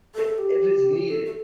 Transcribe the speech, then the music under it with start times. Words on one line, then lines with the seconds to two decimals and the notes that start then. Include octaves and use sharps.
er, if it's needed.
0.15 A4
0.38 G4
1.08 A4
1.25 A4